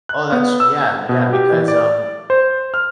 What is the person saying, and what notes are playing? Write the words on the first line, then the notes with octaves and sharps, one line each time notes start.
Oh, that's Yeah, yeah, because, um,
F#6
B3
E6
B2
G4
E3
D5
C5
F6